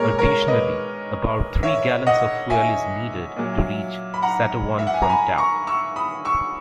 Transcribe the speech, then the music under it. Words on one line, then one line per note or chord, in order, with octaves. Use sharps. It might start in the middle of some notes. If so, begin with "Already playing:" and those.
Additionally, about three gallons of fuel is needed to reach Satowan from Ta.
Already playing: A#2 G#3 A#4 C#5
A#4 C#5
B4 D#5
C#5 E5
D#5 F#5
E5 G#5
A#2 F#3
B5
F#5 A#5
E5
F#5
G#5
A#5
G#5 B5
A#5 C#6
C#6 E6
B5 D#6
C#6 E6